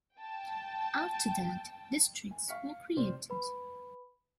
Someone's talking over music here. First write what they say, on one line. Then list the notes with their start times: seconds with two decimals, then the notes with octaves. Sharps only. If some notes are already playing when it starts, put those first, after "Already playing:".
After that, districts were created.
0.17 G5 A5
2.31 G#5
2.48 F5 C#6 F6 B6 C#7
2.96 A2 C3 C5 D5
3.30 B4 B5